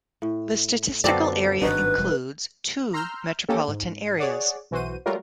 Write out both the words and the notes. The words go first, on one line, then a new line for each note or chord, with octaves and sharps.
The statistical area includes two metropolitan areas.
A2
F#2 D3 F3 F#3 B3 C4 D5
G#1 G2 D4 D#4 F#4 B4
E1 G3
A#5 C6 E6 F6 G6
A#3 C#4 G4 A4
G#2
G#4 C#5 D5 F#5
B1 E3 F#4 C5 D#7
F#3 G3 A3 F4 F#4 A#4